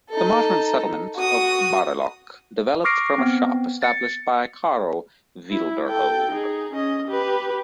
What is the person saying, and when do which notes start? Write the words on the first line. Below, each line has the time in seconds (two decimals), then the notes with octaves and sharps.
The modern settlement of Bariloche developed from a shop established by Carlos Wiederhold.
0.10 D#4 A4
1.16 F#4 D#6
2.84 C#6 D6 F6 A#6 C7 D7
3.18 B3 C4
3.82 A6 C#7
5.51 E4
5.88 A4 G5
6.31 D#4 G#4
6.72 C#4 D#5
7.07 G4 B4